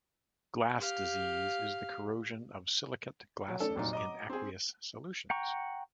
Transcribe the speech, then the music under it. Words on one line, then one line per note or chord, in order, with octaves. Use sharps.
Glass disease is the corrosion of silicate glasses in aqueous solutions.
G4 F5
F#3
A3 C#4 A4 D5
F1 A#2 F#3 D#4
D#5 A#5 D6
C4 G#4
F#5 G5 A#5 C#6